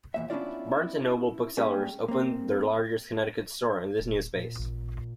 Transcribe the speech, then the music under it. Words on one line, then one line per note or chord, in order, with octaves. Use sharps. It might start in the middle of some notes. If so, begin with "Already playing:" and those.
Barnes and Noble Booksellers opened their largest Connecticut store in this new space.
E2 A#2 E5
B3 C#4 D4 E4 F4 D5
G3 G#3 A#3 C#4 G4 G#4
A#3 C4
D#1
A#2
A1